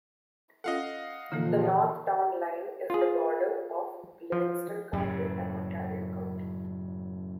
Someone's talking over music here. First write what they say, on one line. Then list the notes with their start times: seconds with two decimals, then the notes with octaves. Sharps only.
The north town line is the border of Livingston County and Ontario County.
0.64 C#4 F4 A4 D#5 F5 F#5
1.32 A#2 D3 E3 F3 A#3 D#4 A4
2.90 F4 G#4
4.32 F3
4.93 F#2 A2 C#3